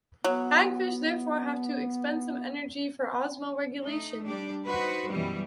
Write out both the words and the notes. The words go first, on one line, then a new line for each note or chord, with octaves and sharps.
Hagfish therefore have to expend some energy for osmoregulation.
F#3 B3
A3 D#4
G3 D4 G4 D5
D#4 F#4 B4 C5
F#2 B2 E3 G3